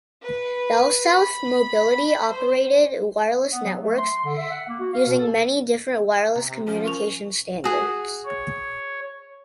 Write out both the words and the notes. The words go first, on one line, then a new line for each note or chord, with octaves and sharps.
BellSouth Mobility operated wireless networks using many different wireless communication standards.
B4
B5
C5
B3
F#3
A3
C6
D3
E5
F#5
A#3
F#4
F5
B2
A4
C3 A#5
F3 C#4
A#4 C#6 F7
F#4 G#4 F#5
C#5